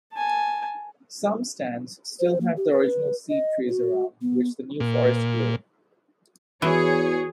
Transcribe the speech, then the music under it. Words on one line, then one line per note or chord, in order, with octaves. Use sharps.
Some stands still have their original seed trees around which the new forest grew.
G#5 A5
C5
A#3
G4
B4
D#5
F#4
B3
A#2
E2 E3 F#4 G#4 C#5